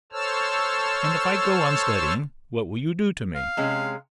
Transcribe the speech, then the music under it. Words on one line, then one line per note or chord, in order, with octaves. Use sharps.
"And if I go on studying, what will you do to me?"
A4 C5 C#5 A5 E6 F6
F5
C3 G#3 C#4